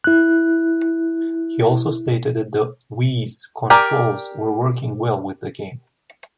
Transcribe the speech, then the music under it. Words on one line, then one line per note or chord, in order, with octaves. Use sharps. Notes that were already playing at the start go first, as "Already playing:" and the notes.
He also stated that the Wii's controls were "working well" with the game.
E4 F#6
G4 A#4 D5 G#5